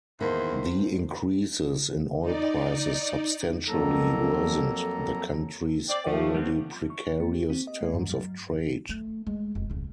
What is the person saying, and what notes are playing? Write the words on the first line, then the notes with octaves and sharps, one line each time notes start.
The increases in oil prices substantially worsened the country's already precarious terms of trade.
E2 D#3 A#3 D#4 C5
D#4 D5
F2 F#3 A#3 A4 A#5
C4 D5
F3 A3
G3 B3 C4
C#6
A#3
G4
C4
D#5
A3
G2
F#3
A3
G#3
F1
D1 C#3